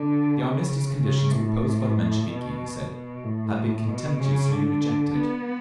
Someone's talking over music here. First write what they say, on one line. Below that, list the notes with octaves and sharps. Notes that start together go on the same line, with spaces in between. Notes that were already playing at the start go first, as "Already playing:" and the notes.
The armistice conditions proposed by the Mensheviki, he said, had been contemptuously rejected.
Already playing: D3
C#3
C#3
A2
B2
B2
A2
B2
C#3
D3
B3